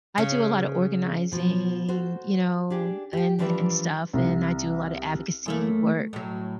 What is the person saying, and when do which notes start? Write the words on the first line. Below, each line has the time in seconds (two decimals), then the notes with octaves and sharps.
I do a lotta organizing, you know, and and stuff, and I do a lotta advocacy work,
0.18 C#3
1.32 B2 F3
1.89 F#4 A4 C5
2.70 D4 G4 G#4
3.13 G4 G5
3.39 E3 F3 G3 D4 B4 E5
4.13 C2
5.46 F#2 A3 A#3
6.13 A2 F#3